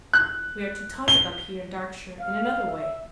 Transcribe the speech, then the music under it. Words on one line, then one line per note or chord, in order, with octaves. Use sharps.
We are Teutonic up here in Darkshire in another way.
F#6
G7
F5
E5